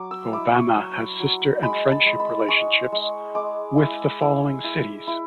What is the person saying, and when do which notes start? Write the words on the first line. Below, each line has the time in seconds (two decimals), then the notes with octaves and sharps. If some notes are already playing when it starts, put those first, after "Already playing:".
Obama has sister and friendship relationships with the following cities.
Already playing: F#3 D6
0.11 E6
0.33 E4 D6
0.54 C#6
0.76 F#3
1.20 F#3
1.63 G#3 B5
1.92 A5
2.06 G#3
2.20 B5
2.48 G#3 C#6
2.92 G#3
3.35 G#3 D6
3.78 E4
4.21 E4
4.64 E4
5.07 E4